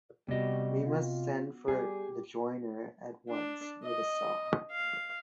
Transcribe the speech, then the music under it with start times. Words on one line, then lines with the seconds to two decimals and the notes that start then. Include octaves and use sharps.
We must send for the joiner at once, with a saw.
0.28 C3 G3 B3 F#4 D#5
0.87 F4
1.68 G3 G4 G#4
3.29 D4
3.84 D#5
4.72 F5